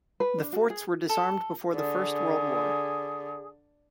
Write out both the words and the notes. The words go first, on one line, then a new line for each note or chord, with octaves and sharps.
The forts were disarmed before the First World War.
B4
D4
F#4
G#4
A4
D3 G#4